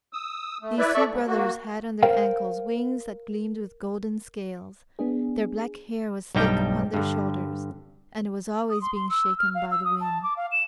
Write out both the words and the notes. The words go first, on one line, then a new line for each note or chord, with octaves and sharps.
These two brothers had on their ankles wings that gleamed with golden scales; their black hair was thick upon their shoulders, and it was always being shaken by the wind.
D#6 E6
A3
E4 B4 D5 E5
A4 D5 E5 C#6
G#2
A#3 F#4
A#4 C5 F5 G5
B3 D4 G#4
B1 G2 G3 D#4 G4 G5
G2 D3
D#6
C6
C6
E6
F6
F5
E6
D#6
A5
D6
F5
E7